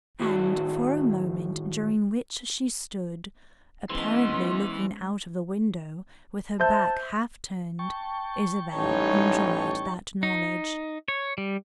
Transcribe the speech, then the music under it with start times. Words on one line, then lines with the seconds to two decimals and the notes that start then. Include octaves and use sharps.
And for a moment during which she stood apparently looking out of the window, with her back half-turned, Isabel enjoyed that knowledge.
0.20 A2 D#3 F#4
3.90 G#2 E3 B3 C#4 C6
6.60 C5 E5 A5 G6
7.79 G5 A5 C#6
8.76 A1 G3 D#4 C#5
10.23 D#4
11.08 C#5
11.38 G3